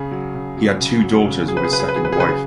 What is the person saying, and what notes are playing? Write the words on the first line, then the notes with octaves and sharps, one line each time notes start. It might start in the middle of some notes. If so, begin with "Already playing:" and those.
He had two daughters with his second wife.
Already playing: C#3 G#4
F#3
C#3
F#3
C#3
F#3
C#3
F#3 G#4
B4
G#4
C#3 B4
G#4
B4
F#3 G#4
B4
G#4
C#3 B4
G#4